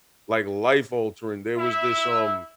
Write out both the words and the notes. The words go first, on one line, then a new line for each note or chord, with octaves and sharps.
like, life altering, there was this, um
E4 E5